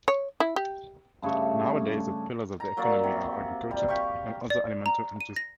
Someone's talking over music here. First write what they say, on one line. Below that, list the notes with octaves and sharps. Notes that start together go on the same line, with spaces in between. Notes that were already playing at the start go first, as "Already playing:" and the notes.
Nowadays, the pillars of the economy are agriculture and other alimentary industries, and construction.
C#5
E4
G4
G2 C#3 A3 C#6
A#5
F#3 A#3 F#4 D5
C3
G3
G4 F5 C#6
D5
A#5
D#7
A#6